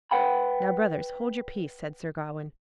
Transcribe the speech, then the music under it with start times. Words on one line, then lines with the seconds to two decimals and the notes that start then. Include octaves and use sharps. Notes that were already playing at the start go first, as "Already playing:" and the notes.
"Now, brothers, hold your peace," said Sir Gawain.
0.11 B4 F#5 G5 B5